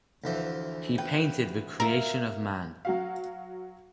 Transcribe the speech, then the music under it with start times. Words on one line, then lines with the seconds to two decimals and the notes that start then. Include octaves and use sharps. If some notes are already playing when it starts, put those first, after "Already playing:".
He painted the Creation of Man.
0.24 D2 E3 F3
0.98 B4 G5
1.80 A#4 E5 F5
2.85 F#3 F#4 F5